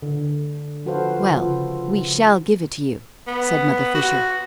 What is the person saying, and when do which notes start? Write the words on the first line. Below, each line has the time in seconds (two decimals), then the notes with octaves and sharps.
"Well, we shall give it to you," said Mother Fisher.
0.02 D3
0.86 F3 F#4 A4 B4 C5 F5
1.30 C#3 F4
3.27 B3
3.95 F#4